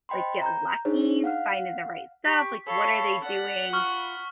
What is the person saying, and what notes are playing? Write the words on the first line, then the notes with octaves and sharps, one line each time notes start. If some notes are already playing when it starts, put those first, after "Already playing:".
like, get lucky finding the right stuff?" Like, "What are they doing
C5 D#5 G5 B5 C6
A#5 G6
D4 D#4 G#4 C5 C#5
F5 F#5 F6
G4 C#6 B6
A4 C#5 F5 B5 C#6
D5 F#5
F4 B5 C#6 F6